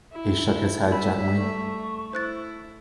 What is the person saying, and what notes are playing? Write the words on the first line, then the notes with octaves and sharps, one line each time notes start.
He shook his head gently.
E4
G3 D5 E5 G#5 B5
A3 C#6
E4 C5 F#6 A6